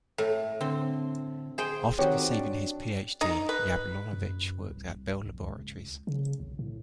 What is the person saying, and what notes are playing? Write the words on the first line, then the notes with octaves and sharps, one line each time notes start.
After receiving his Ph.D., Yablonovitch worked at Bell Laboratories.
A2
D3 C4
G#4 C5 G5
D#3 C4 F#4 G4 C#5
D4
D#4
B4
F#2
C2
A#1
C#2
C#3
B1
A2